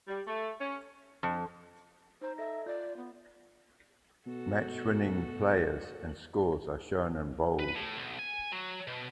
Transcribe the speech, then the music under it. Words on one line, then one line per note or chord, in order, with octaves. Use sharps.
Match winning players and scores are shown in bold.
G3
A3
C#4
F2
D#4 C5 A#5
A4 D#5 E5 A#6
F4 D5 G6
B3
B2 A3 F#4 A4
B4
A2
B1
G#5
F#3
B2